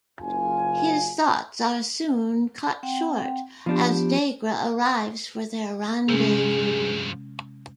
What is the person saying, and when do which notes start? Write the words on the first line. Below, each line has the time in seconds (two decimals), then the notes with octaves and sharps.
His thoughts are soon cut short as Degra arrives for their rendezvous.
0.21 F#1 F4 G#5
2.83 C4 F#5 G5
3.66 F3 B3 D4 G4
6.09 G2 C3 F3 G#3 C#4 G#4